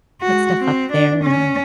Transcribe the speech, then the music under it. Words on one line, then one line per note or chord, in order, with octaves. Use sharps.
put stuff up there and,
G#3 F#4
C4
D4
C#4